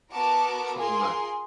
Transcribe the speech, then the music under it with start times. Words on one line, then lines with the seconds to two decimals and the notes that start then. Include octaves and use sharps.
Oh my
0.12 B3 F#4 A#4 A5 D6
0.77 F4 G#4 A#4 G#5 C6